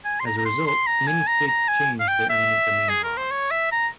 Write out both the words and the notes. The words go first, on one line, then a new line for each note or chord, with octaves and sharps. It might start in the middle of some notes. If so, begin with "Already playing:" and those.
As a result, many states changed their eminent domain laws.
G#5
C6
A#5
A#5
C6
C6
A#5
G#5
A#5
A#5
G#5
F5
G5
E5
G#4
A#4
C5
C#5
E5
A#5